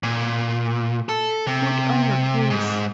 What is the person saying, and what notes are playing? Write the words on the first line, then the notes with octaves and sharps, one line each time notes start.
Put on your case.
A#2
A4
C3
G#2